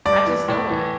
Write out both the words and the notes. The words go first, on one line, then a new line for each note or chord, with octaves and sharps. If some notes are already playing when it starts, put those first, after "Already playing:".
I just know it.
G2 D5
E3
A2
E3